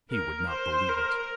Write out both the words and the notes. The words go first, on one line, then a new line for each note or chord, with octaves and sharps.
He would not believe it.
A#4
C5
A#4